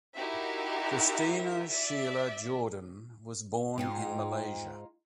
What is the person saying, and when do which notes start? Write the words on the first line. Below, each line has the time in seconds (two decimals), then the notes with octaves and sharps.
Christina Sheila Jordan was born in Malaysia.
0.16 D#4 E4 F#4 G4 A#4 E5
1.74 D5 E5
3.78 G#2 G#3 D#4 F4 G5